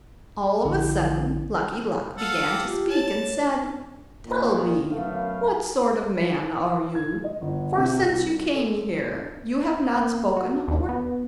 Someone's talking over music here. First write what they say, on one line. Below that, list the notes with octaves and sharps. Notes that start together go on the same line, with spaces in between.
All of a sudden Lucky Luck began to speak and said: 'Tell me, what sort of man are you, for since you came here you have not spoken a word?'
A#1 D3 E4
A4 F5 F#5
G5 D6
F4 G4
C#5 A5
A#2 D#3
F#2 A3 B3 F5
G#6
D#5
G1
C3
C2
A4
A#3
F#4
D#2
B3